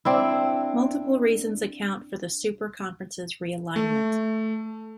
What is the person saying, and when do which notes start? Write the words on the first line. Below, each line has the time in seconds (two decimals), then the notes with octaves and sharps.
Multiple reasons account for the super conferences realignment.
0.05 C4 D4 E4
3.76 A3